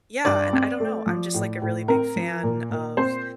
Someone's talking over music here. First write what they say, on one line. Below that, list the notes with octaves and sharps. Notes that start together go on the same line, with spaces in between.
yeah, and I don't know. I'm just, like, a really big fan of,
G2 D5
C4
A3
F3
A2
A2
C4 A#4
F3
A#2
A#2
C4 C5